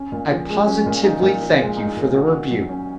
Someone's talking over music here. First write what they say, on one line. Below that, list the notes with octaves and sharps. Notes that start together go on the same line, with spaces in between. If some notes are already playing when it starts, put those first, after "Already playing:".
I positively thank you for the rebuke.
Already playing: C#4
A#2
F3
G#3
C#4
A#2
D#4
A#2
F3
G#3
D#4
A#2
F#4
D#3
F#3
C#4